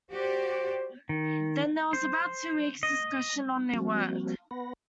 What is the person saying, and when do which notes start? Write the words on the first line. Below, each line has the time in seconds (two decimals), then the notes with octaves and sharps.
Then there was about two weeks discussion on their work.
0.11 F#4 G4 C5 D5
1.09 D#3
1.93 C5
2.83 D#5
3.75 F3 G3 A#3 C4 F#4
4.51 B3 B4 F#5 B5 A#6